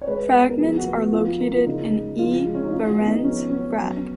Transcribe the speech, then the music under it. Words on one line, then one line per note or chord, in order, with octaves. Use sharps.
Fragments are located in E. Bahrens, Frag.
C#5
G#3 B4
B3
A#4
F3 G#4
F#4
B3
F#4
F3 F4
A#3
F4
C#3 D#4
G#3
F3 F4
G#3
C#4
D#4
G#3 F4
F#4
G#4
B3
D#4
F3 C#4
B3 C#4
F#3